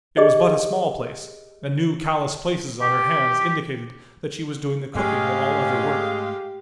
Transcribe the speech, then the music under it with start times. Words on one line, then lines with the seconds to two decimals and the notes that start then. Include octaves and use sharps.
It was but a small place, and new callous places on her hands indicated that she was doing the cooking and all other work.
0.17 G4 G#4 D5 D#5
2.82 G4
4.95 G#2 G#3 A3 C#4 G4 F5